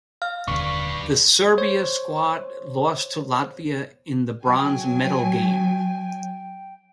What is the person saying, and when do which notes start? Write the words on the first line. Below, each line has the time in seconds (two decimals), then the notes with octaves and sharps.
The Serbia squad lost to Latvia in the bronze medal game.
0.22 F5 F6
0.48 D#1 D3 D4 B4 C#6
1.58 C5 C#5
4.44 F#3 G5 G#5